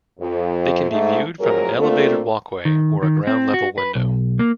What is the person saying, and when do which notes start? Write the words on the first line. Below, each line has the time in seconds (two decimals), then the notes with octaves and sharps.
They can be viewed from an elevated walkway, or a ground level window.
0.20 F2
0.90 G#2 A3
1.40 F2 A2 F#3 G#4 A#4
1.78 A3 A#3 C4 D4 F4 A4
2.65 D#3
3.03 D#3
3.27 C4
3.54 F#4
3.78 B4
3.95 B1
4.39 A#3